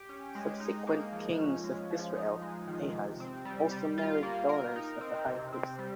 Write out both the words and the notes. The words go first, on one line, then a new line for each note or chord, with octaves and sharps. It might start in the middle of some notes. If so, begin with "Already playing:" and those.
Subsequent kings of Israel, Ahaz, also married daughters of the high priest.
Already playing: G4
C#4
G#3
D#4
A#3
F3
C#4
G#3
F3
D#4
G#3
D#3
C3
C4
G3
G3
F4
A#3
A#4
D#4
C4
C3
C4
G3